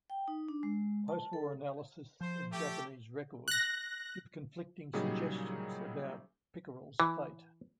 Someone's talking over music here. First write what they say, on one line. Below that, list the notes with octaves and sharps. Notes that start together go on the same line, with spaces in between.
Post-war analysis of Japanese records give conflicting suggestions about "Pickerel"s fate.
G5
D#4
D4
G#3
A5
A4
F3 C5
A3 G4
F#6 A#6
A#2 C#3 F#3 G3 D#4 G#4
E3